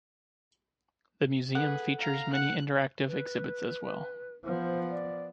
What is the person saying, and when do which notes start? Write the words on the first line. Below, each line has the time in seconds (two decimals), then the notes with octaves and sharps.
The Museum features many interactive exhibits as well.
1.55 G#4 A4 B4 F#5
2.00 F5 A#5
2.34 F#5 F#6
3.07 B4
4.44 F3 B3 C5
4.91 D5